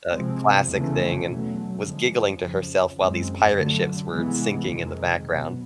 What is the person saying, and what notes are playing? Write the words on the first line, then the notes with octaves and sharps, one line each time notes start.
uh, classic thing and was giggling to herself while these pirate ships were sinking in the background.
C3 F3 G#3 C4
E2 C#3 E3 A3 C#4
E2 B2 F#3 A3
D3 F3 G#3
F2 C#3 F3
F#2 D#3 G#3 C4
D3 F#3 A3
C3 E3 G#3 B3
F2 C3 D#3 G#3
B2 F#3 B3